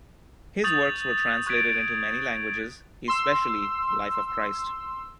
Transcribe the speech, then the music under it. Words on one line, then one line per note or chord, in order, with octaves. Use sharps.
His works were translated into many languages, especially "Life of Christ".
C#6 D#6 G6 A6 F7 F#7
C#6 F#6 G#6 A6 B6 D7
C6 E6